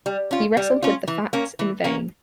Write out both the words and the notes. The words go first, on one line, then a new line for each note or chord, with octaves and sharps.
He wrestled with the facts in vain.
G3
C#4 F4
G3
C#4 F4
E3
A#3 C#4
E3
A#3 C#4